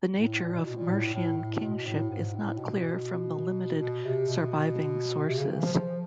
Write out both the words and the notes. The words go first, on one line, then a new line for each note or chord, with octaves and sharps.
The nature of Mercian kingship is not clear from the limited surviving sources.
A2
A#2
B2
B2
A#2
A2
A2
A2
B2
A2
G#2
A2
B2
B2
C3
B2
C3
C#3
D#3
E3
F3
F3